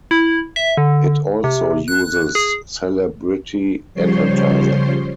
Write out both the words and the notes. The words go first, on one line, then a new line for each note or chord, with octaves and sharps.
It also uses celebrity advertising.
E4
E5
D3
C3
F#6
G#4
C#3 F3 G3 C5 C#5 C6